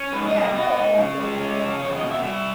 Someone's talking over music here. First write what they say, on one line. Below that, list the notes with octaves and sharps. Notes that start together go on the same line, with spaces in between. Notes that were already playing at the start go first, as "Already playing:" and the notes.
Yeah, no, I like it, Mango Habanero.
Already playing: C#4
G#2 B4
D#5
G3
D#5
B3 D#5
G#2
C#3
G#3
C#4
C#3
E2 C#5
D#5
B2
E5
G3 E5